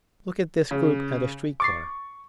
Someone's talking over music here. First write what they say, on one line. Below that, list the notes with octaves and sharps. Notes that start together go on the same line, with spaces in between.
Look at this group at a street corner.
C#3
C#6 D6 A6 C7